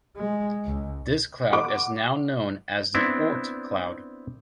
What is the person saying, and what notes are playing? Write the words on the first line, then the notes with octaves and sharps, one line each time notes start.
This cloud is now known as the Oort Cloud.
G#3
C#2
F#5 D6
B3 C4 D4 E4